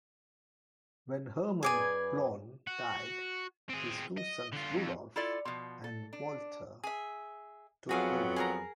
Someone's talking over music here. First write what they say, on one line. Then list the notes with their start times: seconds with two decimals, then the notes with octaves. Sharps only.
When Hermann Blohm died, his two sons Rudolf and Walther took over.
1.63 F#2 G#4 B4 D5 G#5
2.67 F#4
3.70 C4 G#4
4.18 D#5
4.52 D3 F4
4.74 F2
5.16 E4 F4 A4 D5
5.45 B2 F3
5.84 A4
6.13 D4
6.84 G#4 E5
7.89 F2 F#3 B3 F#4 G#4 F5
8.36 G#4 A#4 A#5